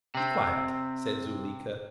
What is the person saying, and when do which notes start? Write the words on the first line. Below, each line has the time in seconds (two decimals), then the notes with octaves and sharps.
"Be quiet," said Zuleika.
0.15 C3 C4